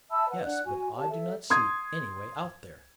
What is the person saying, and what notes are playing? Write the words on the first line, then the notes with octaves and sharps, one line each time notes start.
"Yes, but I do not see any way out there."
E5 A5 B5 E6
B4 F#5
D4 D5 F#5 F#6
F#4 G#5
G4 C#5 A5
A4 E5
C6 D#6 G#6